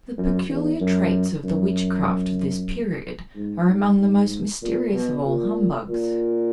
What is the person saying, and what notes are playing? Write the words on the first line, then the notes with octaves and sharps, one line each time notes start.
The peculiar traits of the witchcraft of this period are among the most mysterious of all humbugs.
F#2
E2
F#2
F#2
G#2
G#2
G#2
A#2
B2
A#2
A#2